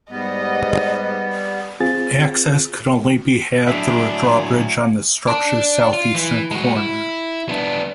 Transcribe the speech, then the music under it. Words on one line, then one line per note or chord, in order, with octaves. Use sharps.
Access could only be had through a drawbridge on the structure's southeastern corner.
G#2 G3 B3 D#5
C4 F4 G#4 A6
A2 D3 F#3 D4 G#4 E5 G#5
D5 A5
F4
E3
G#3 F#4
E4
B3 D4